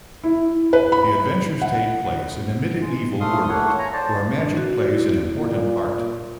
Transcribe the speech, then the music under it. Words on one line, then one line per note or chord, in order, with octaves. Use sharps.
The adventures take place in a medieval world where magic plays an important part.
E4
B4
B5
F#5
G#3
A3 F5 C6 D#6
A3 A#3 C#5 F#5
C#5 G#5 A#5
C5 D5 A5
D4
F#4
D5
E4
A#2